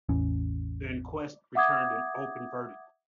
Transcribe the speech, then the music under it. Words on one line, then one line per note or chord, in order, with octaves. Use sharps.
The inquest returned an open verdict.
A1 E2 C#4
E5 F#5 D6 D#6 G#6